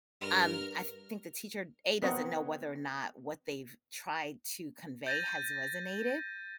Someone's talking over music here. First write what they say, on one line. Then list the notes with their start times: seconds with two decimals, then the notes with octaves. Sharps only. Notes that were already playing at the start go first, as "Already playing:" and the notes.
um, I think the teacher, A, doesn't know whether or not what they've tried to convey has resonated,
0.21 G2 A#4 F6
2.02 B3 C4 A#4 C#5 D#5 F#5
5.07 G6 A6 A#6 D#7